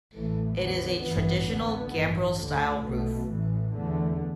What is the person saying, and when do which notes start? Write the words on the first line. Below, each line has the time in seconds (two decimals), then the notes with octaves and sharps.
It is a traditional gambrel style roof.
0.14 A1 A2 E3 A3
0.59 E2 D3 B3
1.04 A1 G2 E3 B3
1.49 D2 D3 B3
1.94 A1 G2 E3
2.39 D2 D3 A3
2.85 B1 B2 A3
3.30 A1 A2 E3
3.75 E2 D3 A3